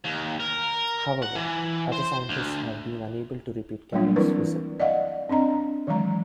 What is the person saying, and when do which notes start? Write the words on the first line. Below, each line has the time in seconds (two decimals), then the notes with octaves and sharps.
However, other scientists have been unable to repeat Carrel's result.
0.04 D#2
0.40 A#4
1.22 F#5
1.35 E3
1.93 C5
2.29 D2
3.93 F#3 G3 A3 A#3 D4 F4
4.16 E3 C4 E4 A#4 B4
4.80 D5 D#5 F5 F#5
5.29 C4 D4 D#5 A#5
5.87 D#3 E3 F#3 G#3 A#5